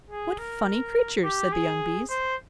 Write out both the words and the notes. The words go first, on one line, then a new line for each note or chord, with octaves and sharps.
"What funny creatures!" said the young Bees.
G#4
A#4
G4
G#4
C5